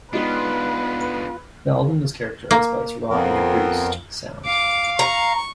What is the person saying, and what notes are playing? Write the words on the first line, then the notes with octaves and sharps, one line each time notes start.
The album is characterized by its raw, under-produced sound.
G#3 B3 D4 D#4 F4 B4
A#3
F2 B3 A#4
F5 D6
A#5 C#6